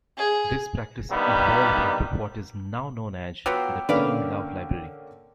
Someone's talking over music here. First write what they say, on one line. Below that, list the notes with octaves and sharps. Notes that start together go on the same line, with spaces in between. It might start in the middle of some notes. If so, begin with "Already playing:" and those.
This practice evolved into what is now known as The Team Love Library.
G#4
G2 D#3 G3 A#3 B3
F#3 B3 F4 G5 D6 E6
D3 A#3 C#4 B4 D5 F5